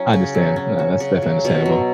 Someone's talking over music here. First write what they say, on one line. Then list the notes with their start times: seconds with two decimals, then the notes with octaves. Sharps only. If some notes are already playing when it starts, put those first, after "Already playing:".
I understand. No, that's definitely understandable.
Already playing: F#3 C#4 E4
0.13 C#3
0.35 F#3
0.56 C#4
0.79 F#4
1.00 C#3
1.22 F#3
1.45 B2
1.66 F#3